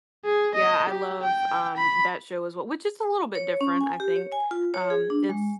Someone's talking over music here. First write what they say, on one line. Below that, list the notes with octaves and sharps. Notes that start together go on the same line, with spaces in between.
Yeah, I love, um, that show as we which is a little bit different, I think. Um, it's
G#4
D#5
G4
G5
B5
C#5
C#4
G#5
G4
C#5
G#5
F4
C#5
G#4
D4
G#3